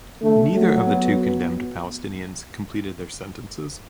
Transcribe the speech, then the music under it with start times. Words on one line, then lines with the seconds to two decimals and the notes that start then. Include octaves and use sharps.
Neither of the two condemned Palestinians completed their sentences.
0.22 D3 A3
0.55 F#3 A3
0.87 B3